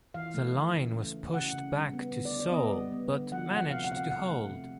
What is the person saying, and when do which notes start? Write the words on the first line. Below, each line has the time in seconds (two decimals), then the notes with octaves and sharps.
The line was pushed back to Seoul but managed to hold.
0.14 E3 F5
0.34 A3
0.54 E3
0.75 C#3
0.93 A3
1.14 A3
1.34 C#3 F#5
1.53 C#3
1.74 G3
1.93 B3
2.13 D3
2.25 D5
2.32 B3
2.40 D5
2.52 B3 D#5
2.73 G3
2.92 B3
3.12 D3
3.31 F3 F#5
3.51 A3
3.57 F#5
3.70 C3 F5
3.84 F#5
3.91 C3 F5
3.97 F#5
4.10 C3 F#5
4.31 A3
4.50 C3